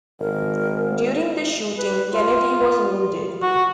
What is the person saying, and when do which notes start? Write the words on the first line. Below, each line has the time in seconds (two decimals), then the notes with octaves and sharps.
During the shooting, Kennedy was wounded.
0.20 G#1 A#4
1.79 B4
2.14 F4
3.42 F#4